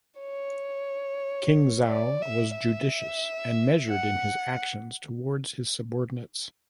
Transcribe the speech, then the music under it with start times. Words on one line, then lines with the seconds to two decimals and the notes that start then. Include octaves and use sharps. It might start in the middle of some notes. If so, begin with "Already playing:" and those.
King Zhao was judicious and measured in his actions toward his subordinates.
0.20 C#5
1.87 D5
2.22 E5
2.55 E5
3.89 F#5